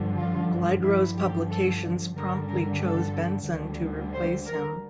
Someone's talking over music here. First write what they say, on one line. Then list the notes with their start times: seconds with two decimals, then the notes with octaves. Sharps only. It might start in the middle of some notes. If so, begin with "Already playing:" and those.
Glidrose Publications promptly chose Benson to replace him.
Already playing: G2 D3 F3
0.17 F4
0.83 G2 D3 F3 E4
1.16 G4
1.50 A4
2.15 G2 D3 G3 A#4
2.49 A#4
2.81 A4
3.47 D2 D3 G3
4.13 C5
4.46 A#4